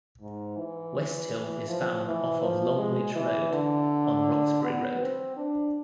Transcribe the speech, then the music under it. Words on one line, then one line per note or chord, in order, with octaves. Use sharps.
Westhill is found off of Long Ridge Road, on Roxbury Road.
G#2
E3
F3
E3
F3
G#3
E3
D3
B3
C4
D4